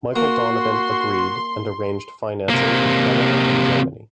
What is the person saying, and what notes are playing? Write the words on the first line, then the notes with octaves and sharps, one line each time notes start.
Michael Donovan agreed, and arranged financing in Canada and Germany.
A#3 F#4 C6
C3 A#3